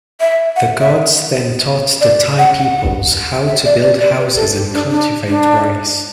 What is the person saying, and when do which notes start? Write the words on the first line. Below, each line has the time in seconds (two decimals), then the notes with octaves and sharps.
The gods then taught the Tai peoples how to build houses and cultivate rice.
0.20 E5
0.56 F#5
0.80 E5
2.01 D5
2.38 F#5
2.56 F#5
3.47 E5
3.65 D5
3.83 D5
4.00 D5
4.19 B4
4.37 A4
4.55 G4
4.74 D4
4.91 D4
5.28 D4